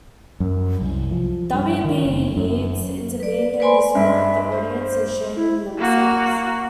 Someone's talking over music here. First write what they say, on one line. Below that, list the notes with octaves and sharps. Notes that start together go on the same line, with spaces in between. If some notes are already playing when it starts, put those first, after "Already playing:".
W. B. Yeats intervened and described the audience as "shaming themselves".
F#2
C2
F3
G2
D#3
F#1
F#2
B4 D5
B4 C5 D5 G#5 B5 C6
G2 E5
C5
E4
A#3 F#4